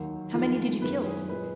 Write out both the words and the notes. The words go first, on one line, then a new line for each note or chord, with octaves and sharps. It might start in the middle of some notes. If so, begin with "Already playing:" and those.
How many did you kill?'
Already playing: D#2 D#3 F#3
F2 D#3 G#3 F4
F#2 D#3 G#3 B4
G#4
A#2 G#3 B4